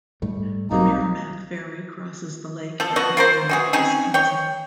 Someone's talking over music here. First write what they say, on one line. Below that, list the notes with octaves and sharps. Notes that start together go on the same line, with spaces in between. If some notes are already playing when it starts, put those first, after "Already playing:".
The Merrimac Ferry crosses the lake at Merrimac, Wisconsin.
G#2 G3 A3
B1 F#3 A#3 C4 D#4
F3 A4
F3 B3 F#4
F4 A#4 C5
E3 F#4 G#4
C4 C#4 D#4 G#4
C#5 G5